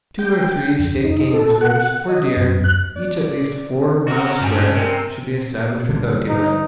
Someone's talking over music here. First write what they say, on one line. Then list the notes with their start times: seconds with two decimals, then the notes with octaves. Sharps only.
Two or three state game preserves, for deer, each at least four miles square, should be established without delay.
0.19 G5
0.43 G5
0.79 F2
1.04 D#4
1.34 A4
1.61 F#5
2.09 D#5
2.36 F#2
2.64 F#6
2.96 D5
4.08 C#4 F#4 A#4
4.41 G2 G3 C#4 D4 G#5
4.76 C3 A#4
5.89 D3 G3
6.29 D#4